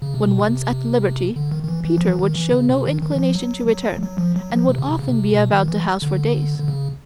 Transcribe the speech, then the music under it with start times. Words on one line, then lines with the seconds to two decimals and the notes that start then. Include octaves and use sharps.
When once at liberty Peter would show no inclination to return, and would often be about the house for days.
0.02 C#3
0.14 C3
0.27 B2
0.40 C3
1.36 D3
1.51 D#3
1.63 D#3
1.68 E3
1.85 E3
1.98 F3
2.08 E3
2.19 D#3
2.35 E3
2.52 C#3
2.69 C3
2.86 D#3
3.01 D#3
3.12 E3
3.19 F3
3.35 F#3
3.68 F#3
4.02 F#3
4.18 F3
4.36 F#3
4.52 F3
4.68 C3
4.78 C#3
4.89 C3
4.99 C#3
5.08 C3
5.35 B2
5.52 D#3
5.68 E3
6.02 D3
6.60 D3
6.68 C#3